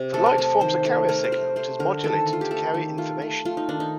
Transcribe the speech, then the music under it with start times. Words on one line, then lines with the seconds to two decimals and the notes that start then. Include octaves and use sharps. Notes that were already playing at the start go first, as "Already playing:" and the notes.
The light forms a carrier signal that is modulated to carry information.
Already playing: C3
0.14 A3 A4
0.26 A#4
0.38 A3 A4
0.61 D#3 C5
0.85 A3
1.09 A3 A#4
1.24 C5
1.32 A3 A#4
1.56 A3 C5
1.80 D3 A#4
2.03 D#3 A4
2.27 A3
2.33 F4
2.41 G4
2.51 A3 A4
2.74 D#3
2.98 A3 F4
3.22 A3
3.45 A3 F4
3.57 D#4
3.69 D#3 D4
3.80 D#4